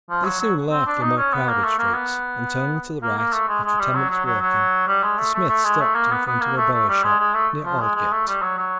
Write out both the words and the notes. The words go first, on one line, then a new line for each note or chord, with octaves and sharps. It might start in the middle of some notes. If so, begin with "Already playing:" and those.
They soon left the more crowded streets, and turning to the right, after ten minutes walking, the smith stopped in front of a bowyer shop near Aldgate.
F3
F#3
F#3
C4
D4
D#4
C#4
B3
A#3
A3
A#3
B3
A#3
A#3
A3
G#3
G#3
G3
F#3
F#3
F#3
F#3
G3
G#3
A3
A3
A3
G#3
A3
A#3
B3
B3
A#3
A3
A3
G3
G#3
G#3
A3
F3
G#3
G#3
A3
G3
F#3
F#3